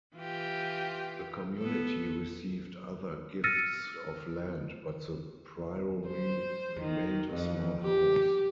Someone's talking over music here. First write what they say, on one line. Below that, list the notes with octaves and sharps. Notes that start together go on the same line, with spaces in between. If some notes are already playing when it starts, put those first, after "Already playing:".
The community received other gifts of land but the priory remained a small house.
E3 F4 G4
B3 A4
E6 F6 A6 A#6 C#7 D#7
C5
D#3
F2
G4